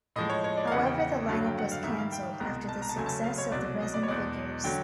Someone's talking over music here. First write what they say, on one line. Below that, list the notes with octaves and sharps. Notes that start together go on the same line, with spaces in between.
However the lineup was cancelled after the success of the resin figures.
A2 F3 G#3 D#5
C#5
C#5
D5
F5
E2 C#3 E3 F#5
G5
F#5
G2 D3 F#3 A3 F5
G5
F#5
F5
G#2 D#3 G3 E5
F5
G5
C2 B2 G#3 A#5
A5
A#5
A5
C#2 C#3 F#3 A3 G#5
A5
F5
C#5
C2 B2 F#3 D5
D#5
D5
C#5
E2 B2 G#3 D5
D3 F#3 G5